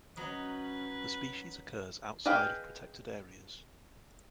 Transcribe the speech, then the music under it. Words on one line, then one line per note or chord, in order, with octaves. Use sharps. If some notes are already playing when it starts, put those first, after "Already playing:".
The species occurs outside of protected areas.
F#3 C#4 D#4 B4
G#4 B4 D#5 F5 G5